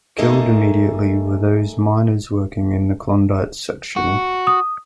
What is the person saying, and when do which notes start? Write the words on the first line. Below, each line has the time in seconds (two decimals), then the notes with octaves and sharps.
Killed immediately were those miners working in the Klondike section.
0.18 A3 A#3 D#4 G#4 A4 D#5
3.96 F#4
4.47 D#6